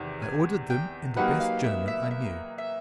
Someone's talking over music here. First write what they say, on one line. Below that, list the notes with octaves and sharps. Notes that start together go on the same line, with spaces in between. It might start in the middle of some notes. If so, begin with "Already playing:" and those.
I ordered them in the best German I knew.
Already playing: E2 C3 D#3
G#5
G5
F#3 A#3 D#4 G4 B4 F#5
F5
E5
E5
E5
E5